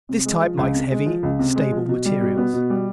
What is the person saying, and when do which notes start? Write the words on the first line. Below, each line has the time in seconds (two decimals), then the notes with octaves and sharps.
This type likes heavy, stable materials.
0.09 C3
0.25 G#3
0.42 F3
0.58 C#2
0.75 C3
0.91 G#3
1.06 F3
1.23 C#2
1.39 C3
1.56 G#3
1.72 F3
1.89 B2
2.05 G3
2.21 B2
2.37 B3
2.54 B2
2.70 G3